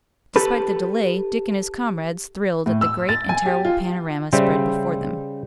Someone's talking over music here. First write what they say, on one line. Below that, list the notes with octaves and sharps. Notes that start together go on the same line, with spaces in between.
Despite the delay, Dick and his comrades, thrilled at the great and terrible panorama spread before them.
G4 A4 B4
A2
E6
A6
G#5
G4
F4
C#3 G3 C5 E5